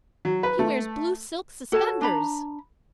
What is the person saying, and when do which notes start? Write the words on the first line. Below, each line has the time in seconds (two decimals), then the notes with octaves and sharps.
"He wears blue silk suspenders."
0.25 F#3
0.43 B4
0.59 A3
1.72 F#4 A4 C#5 A5
2.01 D4 A#5 B5